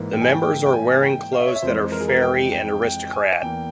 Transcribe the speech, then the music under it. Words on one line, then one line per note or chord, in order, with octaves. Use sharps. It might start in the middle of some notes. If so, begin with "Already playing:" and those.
The members are wearing clothes that are fairy and aristocrat.
Already playing: G#2 E3 A#3
G5
G#5
G5
G5
G5
G#5
G5
F5
E5
C#5
E5
F2 E3 G#3 C5
A#4
G#4
A#4
G5
G5
G5
G#5
E2 E3 A#3 G5